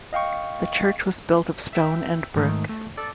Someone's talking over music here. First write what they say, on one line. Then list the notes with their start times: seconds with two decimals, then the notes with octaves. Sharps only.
The church was built of stone and brick.
0.13 D#5 F5 G5 C#6
1.73 E5 G5
2.36 G#2 D#3 G#3 A3 D#4
2.69 A3
2.97 A4 D5